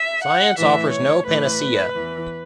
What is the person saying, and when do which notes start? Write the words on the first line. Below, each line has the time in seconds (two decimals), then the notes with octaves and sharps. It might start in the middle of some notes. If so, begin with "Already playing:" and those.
Science offers no panacea.
Already playing: E5
0.24 F#5
0.58 A2 E3 E5
0.92 C#5
1.26 A2 E3 B4
1.95 E2 E3